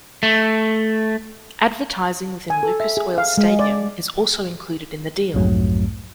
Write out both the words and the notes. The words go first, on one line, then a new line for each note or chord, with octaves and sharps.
Advertising within Lucas Oil Stadium is also included in the deal.
A3
G#5
A4
E5
G#4
F5
G#3
D5
B1 F2 G#2 F#3 A3